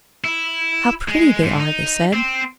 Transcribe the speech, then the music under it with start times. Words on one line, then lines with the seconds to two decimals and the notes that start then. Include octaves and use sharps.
"How pretty they are!" they said.
0.24 E4
1.08 G#3
1.43 G#2
1.59 D#4
2.13 C4